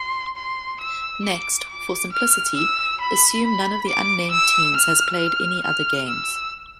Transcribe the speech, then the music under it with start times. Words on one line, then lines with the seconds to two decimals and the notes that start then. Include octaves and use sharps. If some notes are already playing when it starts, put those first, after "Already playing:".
Next, for simplicity, assume none of the unnamed teams has played any other games.
Already playing: C6
0.37 C6
0.80 E6
1.24 D6
1.69 D6
2.12 F6
2.57 E6
3.00 B5
3.44 B5
3.88 D6
4.32 E6
4.76 F6
5.20 F6
5.64 F6
6.08 E6